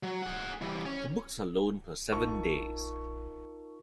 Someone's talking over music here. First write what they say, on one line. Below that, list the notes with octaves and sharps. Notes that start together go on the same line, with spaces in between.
The books are loaned per seven days.
F#3
G#4 F#5
E3 G3
C#4
A#1 D#4 F4 A#4 A5 C#6